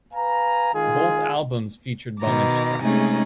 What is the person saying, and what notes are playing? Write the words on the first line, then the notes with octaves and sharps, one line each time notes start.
Both albums featured bonus tracks.
B4 F5 G#5 A#5
D#3 G#3 F4 G#4
B2 D#3 A#5 D6
C3 G#3 A3 C#4 D#4 G#4